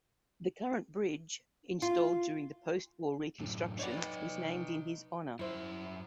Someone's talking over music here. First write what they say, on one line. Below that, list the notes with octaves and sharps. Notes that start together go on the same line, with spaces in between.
The current bridge, installed during the post-war reconstruction, was named in his honor.
F4
F#2 A2
D#4 B4 C#5 D5 F#5
F#2 E4 C5 E5